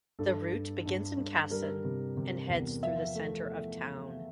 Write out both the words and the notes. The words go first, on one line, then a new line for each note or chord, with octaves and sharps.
The route begins in Kasson, and heads through the center of town.
G2 A4
G2
G2
G2
G3 A#4
C3
C3
E2
F3 E5
A3